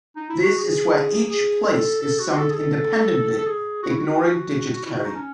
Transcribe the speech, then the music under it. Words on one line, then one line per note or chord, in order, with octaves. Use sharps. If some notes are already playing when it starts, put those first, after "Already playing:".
This is where each place is summed independently, ignoring digit carry.
D#4
E4
F#4
G#4
G#4
A4
A4
F#4
A4
G#4
A4
A4
G#4
F#4
E4
F#4
E4
F#4
D#4
C#4